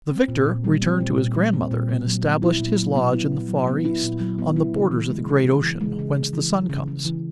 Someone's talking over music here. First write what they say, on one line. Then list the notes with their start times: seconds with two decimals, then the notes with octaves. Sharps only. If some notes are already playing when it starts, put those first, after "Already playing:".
The victor returned to his grandmother, and established his lodge in the far east, on the borders of the great ocean, whence the sun comes.
0.11 C4
0.28 A#2
0.47 A#2
0.64 G3
0.83 C4
1.01 A#2
1.18 A#2
1.35 G3
1.53 C4
1.71 A#2
1.89 A#2
2.07 F#3
2.24 B3
2.42 E4
2.60 A#2
2.78 F#3
2.96 B3
3.14 E4
3.32 A#2
3.49 F#3
3.67 B3
3.85 E4
4.03 A#2
4.20 F#3
4.38 B3
4.56 E4
4.74 C#3
4.91 E3
5.10 G#3
5.26 C#3
5.45 C#3
5.62 E3
5.81 G#3
5.99 C#3
6.16 C#3
6.33 E3
6.51 G#3
6.70 C#3
6.88 C#3
7.05 E3